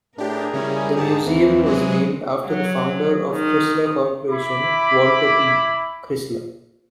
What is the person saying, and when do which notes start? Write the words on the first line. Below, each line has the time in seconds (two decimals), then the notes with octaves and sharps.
The museum was named after the founder of Chrysler Corporation, Walter P. Chrysler.
0.18 A2 D4 G4 G#4 A#4
0.53 C#3 G3 C#4 E4
0.97 G#2 G4 A5
1.26 D#2 E3 C4
1.66 F#3 G#3 G#4
2.46 F#3
3.33 D#3
4.30 E4 B5 D6